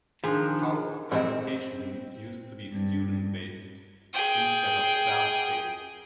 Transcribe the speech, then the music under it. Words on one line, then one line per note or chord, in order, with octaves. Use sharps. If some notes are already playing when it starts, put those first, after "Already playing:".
House allocations used to be student-based, instead of class-based.
D#3 F3 D4 G#4
A1 G#3 C4
G2
G#4 G5